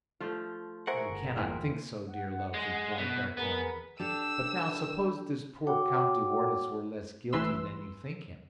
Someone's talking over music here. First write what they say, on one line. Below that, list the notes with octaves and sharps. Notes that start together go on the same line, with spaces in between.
"You cannot think so, dear love!" replied d'Artagnan; "but now, suppose this poor Comte de Wardes were less guilty than you think him?"
F3 A3 F4
G#4 A#4 C5 E5 F#5 C#6
G1
E2 E3 A#3 C4 F4
F#5
G#3
B2
B3 G#4 A#4 B4
D4 G4 A4 E6 E7
F#4 C#5 F#5 G5 D6
A1 A2 E3 B4 C6 E6